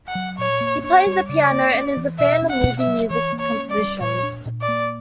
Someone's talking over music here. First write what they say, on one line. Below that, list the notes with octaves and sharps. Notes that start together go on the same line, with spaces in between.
He plays the piano and is a fan of movie music compositions.
F#5
F#3
A#2 C#5
A#3
D4 C#5
G3
C#3 D5
A#3
C#4
E3
B2 E5
C#4
F#5
B2
E5
F#3
E3 C#5
A#3
C#5
C#4
D5
G3
A#2 C#5
D4
A#2
D5
A#3